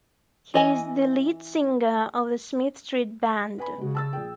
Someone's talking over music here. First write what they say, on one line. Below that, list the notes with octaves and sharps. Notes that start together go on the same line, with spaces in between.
He is the lead singer of The Smith Street Band.
E3 D#5 G#5
B4 G#5 B5
C#3 G#3 F#4
A5 E6 A6
A#1 G#4 G5